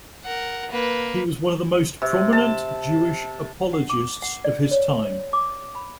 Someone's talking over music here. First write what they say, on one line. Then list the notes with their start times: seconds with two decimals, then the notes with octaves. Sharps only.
He was one of the most prominent Jewish apologists of his time.
0.24 A#4 F#5
0.71 A#3 B4
2.02 C3
2.32 A5
3.73 F#5
3.89 D6
4.22 F#5
4.44 D5
4.71 C#5
5.33 D6
5.75 B5